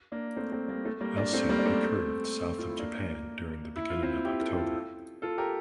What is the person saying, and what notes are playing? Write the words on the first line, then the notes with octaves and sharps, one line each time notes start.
Elsie recurved south of Japan during the beginning of October.
A#3 D4
A3 C4
A3 C4
G3 A#3
A3
G3 A#3
A#3 D4
A3 C4
G3 A#3
D4
A3 C4
F4
E4
A#3 D4
E4
F4
C4 E4
E4 G4
F4 A4
G4
F4 A4
F4 A4
G4 A#4